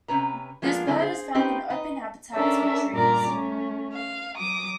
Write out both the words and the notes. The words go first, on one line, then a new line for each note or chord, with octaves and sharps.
This bird is found in open habitats with trees.
C3 C#4 B4 A#5
F3 G#3 A#3 B3 D4 F4
D3 F#3 G#3 C4 E4
G#4 C5
C4 C#4 D#4 G4 B4 C5
D#4 B4 D#5
C#4 D4 A4 A#4 E5
G2 A#2 A#4 D5 A#5 D6
A3 C#4
F5
F#3 D6 D#6